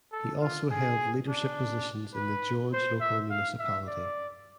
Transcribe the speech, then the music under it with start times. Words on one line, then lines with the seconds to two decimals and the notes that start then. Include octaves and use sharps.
He also held leadership positions in the George Local Municipality.
0.12 A4
0.41 F4
0.71 G#4
1.28 D4
2.14 B4
2.73 C5
3.01 E5
3.30 F5
3.59 E5
3.87 D5